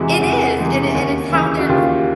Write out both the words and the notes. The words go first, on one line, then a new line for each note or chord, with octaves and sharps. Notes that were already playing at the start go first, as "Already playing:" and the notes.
It is, and it and it's how they're
Already playing: E2 C3 E3 G#3 E4 F#4
E2
C3 E3 G#3
D#2
C#3 E3
F#4
D#2 F4 G4